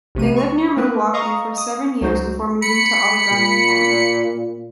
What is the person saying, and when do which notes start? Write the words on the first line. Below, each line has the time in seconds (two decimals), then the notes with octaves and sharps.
They lived near Milwaukee for seven years before moving to Outagamie County.
0.15 A#1 C3 A3 D#7
0.36 C#6
0.77 A#3 A#4 B4
1.13 D#5 F5 A#5 C#6 D#6
1.58 D#6
2.01 C#2 F#3 D#4 F#4 C5
2.62 B5 C#7
3.31 A#2